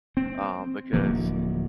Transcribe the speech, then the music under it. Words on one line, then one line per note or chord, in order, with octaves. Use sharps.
Um, because,
C4
D1 D2 F3 A#3